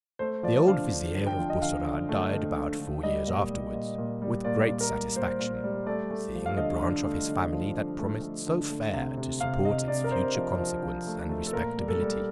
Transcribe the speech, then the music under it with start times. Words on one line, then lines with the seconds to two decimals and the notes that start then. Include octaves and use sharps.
The old vizier of Bussorah died about four years afterwards with great satisfaction, seeing a. branch of his family that promised so fair to support its future consequence and respectability.
0.19 A3 C5
0.43 F3 D5
0.67 D3 F5
0.90 D3
1.14 D3
1.26 G5
1.38 F3
1.50 D#5
1.62 D3 F5
1.85 D3
2.09 A3
2.32 D3
2.56 D3
2.80 D3
3.03 G3 D#5
3.27 A#2
3.51 G3
3.74 A#2
3.98 A#2
4.22 G3
4.44 A#2 D5
4.68 A#2
4.81 A#4
4.93 G3
5.16 A#2 C5
5.40 A#2
5.64 G3
5.87 A3 D5
6.11 A3
6.34 F3
6.46 F5
6.57 D3 D#5
6.82 D3
7.05 A3
7.29 D3
7.52 F3
7.76 D3
7.99 A3
8.22 A3
8.47 D3
8.70 A3
8.93 C3
9.17 C3
9.40 C3 F5
9.65 C3 D#5
9.88 C3 D5
10.04 A#4
10.12 C3 C5
10.36 F3
10.59 F3
10.83 F3
11.07 A3
11.29 A3
11.47 A4
11.53 A#2 A#4
11.77 G3
11.88 A4
12.01 G3